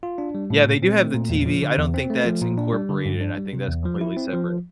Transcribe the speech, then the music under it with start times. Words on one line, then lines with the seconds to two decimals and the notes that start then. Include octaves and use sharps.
Yeah, they do have the TV, I don't think that's incorporated, and I think that's completely separate.
0.03 F4
0.18 D4
0.35 G3
0.50 A2
0.66 A#2
0.83 C4
0.98 A3
1.14 A#2
1.30 E2
1.46 F3
1.62 D3
1.78 E2
1.94 C4
2.10 A3
2.26 F3
2.41 A#2
2.58 D4
2.73 G3
2.89 D3
3.06 G2
3.21 D4
3.37 G3
3.53 C3
3.68 E2
3.85 F3
4.01 E4
4.17 C4
4.33 F3